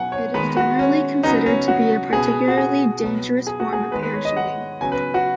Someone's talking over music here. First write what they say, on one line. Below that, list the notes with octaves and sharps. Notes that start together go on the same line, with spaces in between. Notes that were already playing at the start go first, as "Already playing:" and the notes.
It is generally considered to be a particularly dangerous form of parachuting.
Already playing: B2 F#3 B3 F#5 G#5
C#5
D#3 G#3 B3 B4
F#4
C#4
C#3 F#3 B3 D#4
C#4
F#4
B2 B3 G#4
F#4
G#4
B2 F#3 B3
G#4
F#4
G#4
D#3 G#3 B3 B4
B4
C#5
D#5
F#5
C#3 F#3 B3 G#5
B4
F#4